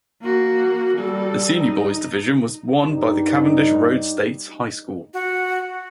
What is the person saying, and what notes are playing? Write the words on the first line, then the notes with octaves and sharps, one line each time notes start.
The Senior Boys division was won by Cavendish Road State High School.
A#3 F#4
G3 A4
D#4
G2 G3 D#4
F#4